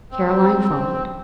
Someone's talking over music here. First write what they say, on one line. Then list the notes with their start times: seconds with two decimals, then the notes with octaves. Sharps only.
Caroline followed.
0.12 C4